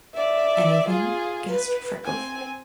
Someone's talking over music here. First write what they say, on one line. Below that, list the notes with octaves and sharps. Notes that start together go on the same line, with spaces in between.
"Anything!" gasped Freckles.
D5 E5
F4 G#4
B4
C4 G#5